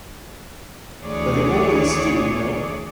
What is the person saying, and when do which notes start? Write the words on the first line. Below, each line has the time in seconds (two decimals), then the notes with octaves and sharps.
But they always do, you know.
1.02 D2 E3 G#4 C#5 D5